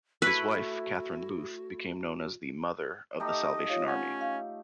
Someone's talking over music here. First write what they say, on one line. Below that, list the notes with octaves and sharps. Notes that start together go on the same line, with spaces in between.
His wife, Catherine Booth, became known as the "Mother" of The Salvation Army.
A3 E4 F#4 B4
A3 D#4 G4 D#5
F4 C#5 F5
C#4 F#5
F5